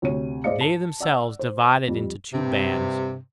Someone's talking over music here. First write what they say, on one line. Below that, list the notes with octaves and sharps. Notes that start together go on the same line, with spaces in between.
They themselves divided into two bands.
D2 C3 C#5 D#7
G#2 C5 D5 D#5 F5 C#7
A5
D5 F#5 E6
C5
F2 G3
G2 C3